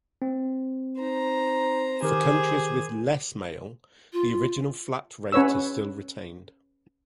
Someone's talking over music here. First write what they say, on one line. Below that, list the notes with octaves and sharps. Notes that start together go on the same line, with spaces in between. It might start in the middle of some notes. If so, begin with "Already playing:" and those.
For countries with less mail, the original flat rate is still retained.
C4
D#4 C5 A#5
D#3 G4 G#4 A#4 C5
F4
C#4 B4 C#5 E6